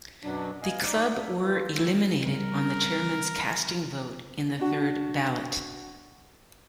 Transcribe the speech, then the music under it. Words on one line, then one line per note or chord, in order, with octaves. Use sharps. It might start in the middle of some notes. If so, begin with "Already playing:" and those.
The club were eliminated on the chairman’s casting vote in the third ballot.
F#2 B2 F#3 D4
B3 D#5 F5 G#5
D#4 D5
A3 A#3 E5
E3 F4
D#3 E6
C#3 G3 C4 A#4
D4 F#4